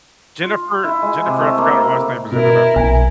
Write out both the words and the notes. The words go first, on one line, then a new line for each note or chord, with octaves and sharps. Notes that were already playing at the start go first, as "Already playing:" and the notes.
Jennifer Jennifer I forgot her last name is in it, I think.
F4
E4
G#3
C3
A3
A#3
C3
B2 E4 A#4
B1 G#5